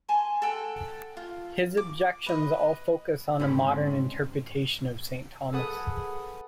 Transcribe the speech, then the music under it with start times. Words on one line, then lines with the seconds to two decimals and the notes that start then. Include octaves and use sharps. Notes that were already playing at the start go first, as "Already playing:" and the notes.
His objections all focus on a modern interpretation of Saint Thomas.
0.09 G#5 A5 C6
0.42 A4 F#5 G5
1.17 F4
1.77 D6
2.26 B4 D#5
3.40 G#2 D3 C4 C#4 B5
5.53 G#4 A4 B4 F#5 D#6